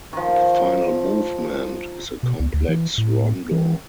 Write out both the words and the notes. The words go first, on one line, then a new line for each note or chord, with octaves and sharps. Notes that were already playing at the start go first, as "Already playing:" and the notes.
The final movement is a complex rondo.
D#3 F3
B2
C#2
D2
E3
A2
E3